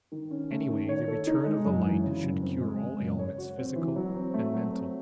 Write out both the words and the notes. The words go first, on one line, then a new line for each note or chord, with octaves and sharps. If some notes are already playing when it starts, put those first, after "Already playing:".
Anyway the return of the light should cure all ailments physical and mental.
D#3
C#4
A3
D#3
C#5
A4
D#4
G#3
F#2
E3
C#3
F#2
C4
G#3
C#3
F#2
C#5
F#4
C4
E3
F#3
C4
A3
F#3
C4